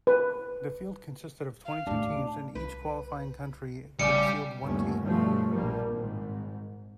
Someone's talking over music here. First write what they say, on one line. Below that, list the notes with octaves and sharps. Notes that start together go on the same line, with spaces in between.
The field consisted of twenty-two teams and each qualifying country could field one team.
B4
F5
D#2 A2 D4
C2 B4
A1 C#3 G3 A3 D5 G#5 D6 C#7
G1 D#2 A3 C#4
G2 B2 F3 F#3 G#3 A3
A#1 G2 F3 G3 A#3
G#1 G#2